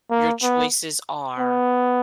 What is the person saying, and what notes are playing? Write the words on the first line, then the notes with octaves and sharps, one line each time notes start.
your choices are
A#3
B3
B3